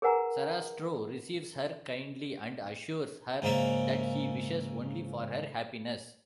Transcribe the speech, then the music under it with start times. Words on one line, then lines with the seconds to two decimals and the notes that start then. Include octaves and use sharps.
Sarastro receives her kindly and assures her that he wishes only for her happiness.
0.02 G#4 A#4 B4 F#5 G#5 A#5
3.42 G#2 C#3 A#3 E5